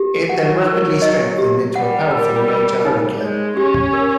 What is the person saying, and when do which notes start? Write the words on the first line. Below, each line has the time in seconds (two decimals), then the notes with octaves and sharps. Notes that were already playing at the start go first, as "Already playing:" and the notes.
It then rapidly strengthened into a powerful major hurricane.
Already playing: G4
0.29 F#3 F#5
0.66 A#4
1.02 D#5
1.38 G4
1.75 G3 F#5
2.11 A#4
2.48 A#4
2.85 D#4
3.21 G#3 C#5
3.57 C#4 G4
3.93 A#4